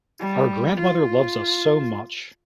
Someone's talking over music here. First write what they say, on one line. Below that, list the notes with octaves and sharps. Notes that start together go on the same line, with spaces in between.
Our grandmother loves us so much.
G3
F4